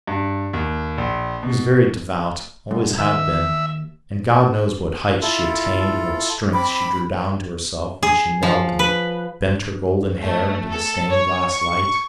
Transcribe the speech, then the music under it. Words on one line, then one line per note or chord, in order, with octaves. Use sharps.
She was very devout, always had been, and God knows what heights she attained and what strength she drew down to herself when she knelt and bent her golden hair into the stained-glass light.
G2
D#2
A#1
B2
C2 F#2
D#2 E5
E4 F4 A4
C4 B5 D6
G#4
F3
B4
A3
A4
C#5
C#6